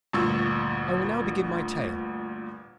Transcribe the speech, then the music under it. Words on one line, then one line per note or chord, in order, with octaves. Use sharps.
I will now begin my tale.
G1 D2 A#2 C#6 E6